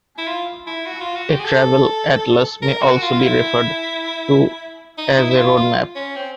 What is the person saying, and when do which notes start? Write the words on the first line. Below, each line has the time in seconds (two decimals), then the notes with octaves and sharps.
A travel atlas may also be referred to as a "road map".
0.18 E4
0.27 F4
0.67 E4
0.86 F#4
1.00 F4
1.15 F#4
1.29 G4
1.39 G#4
1.44 A4
2.62 A#4
2.82 F#4
3.02 F4
3.12 F4
3.20 E4
4.98 D#4
5.17 E4
5.31 E4
5.36 F4
5.57 F4
5.95 C#4
6.16 C4